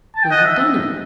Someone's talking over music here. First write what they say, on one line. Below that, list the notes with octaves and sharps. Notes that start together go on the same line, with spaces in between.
Who had done it?
A5
G5
D#5 F#5
E5